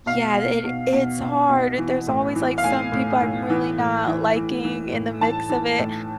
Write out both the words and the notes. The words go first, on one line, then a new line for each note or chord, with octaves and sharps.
Yeah, th it it's hard, it there's always, like, some people I'm really not liking in the mix of it.
B2 F5
B2
B2
B2
B2
B2
E3
A2
E3
F5
A2 G#5
A2
A2
E3
A2
E3
E3
E3
A2
E3 A5
E3
A2